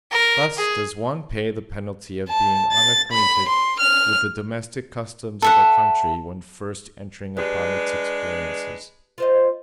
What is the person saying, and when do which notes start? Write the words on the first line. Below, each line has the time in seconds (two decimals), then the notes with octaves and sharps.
Thus does one pay the penalty of being unacquainted with the domestic customs of a country when first entering upon its experiences.
0.12 A#4
0.57 G#4
2.28 A5
2.72 A6
3.12 B5
3.49 C6
3.80 F6
5.42 A4 E5 F#5
7.37 G#3 D4 G4 B4
9.18 F4 C5 D#5